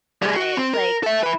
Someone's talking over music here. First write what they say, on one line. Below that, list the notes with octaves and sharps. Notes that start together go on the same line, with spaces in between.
I, like
G3 G#4
F#4
C4
A#4
A4 E5
E4 B4